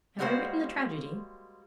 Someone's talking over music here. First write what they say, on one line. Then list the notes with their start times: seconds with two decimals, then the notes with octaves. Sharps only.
Have I written the tragedy?
0.19 G3 G#3 A#3 F#4 G#4 C5